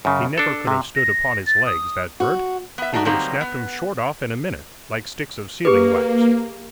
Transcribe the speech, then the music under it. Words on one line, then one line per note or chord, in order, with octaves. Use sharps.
He never could have stood upon his legs, that bird. He would have snapped 'em short off in a minute, like sticks of sealing-wax.
F#2 C#3
D4 A4
C3
A#6
A6
D#6
F#4
B3 E5
A3 D4 D#4 F#4
D3 F#3 G3 A#3 C4 D#4
B3
A#3 G4 G#4 B4